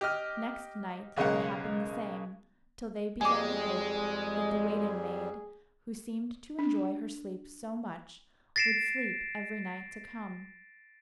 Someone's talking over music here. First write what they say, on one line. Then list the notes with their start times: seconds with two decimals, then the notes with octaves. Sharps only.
Next night it happened the same, till they began to hope that the waiting-maid, who seemed to enjoy her sleep so much, would sleep every night to come.
0.01 G4 D#5 F6
1.16 B1 C#3 G#3 A#3 F#5
3.21 F2 G3 G#3 G#4 G#5 D6
6.59 D4
8.56 A6 A#6 C7 D7 E7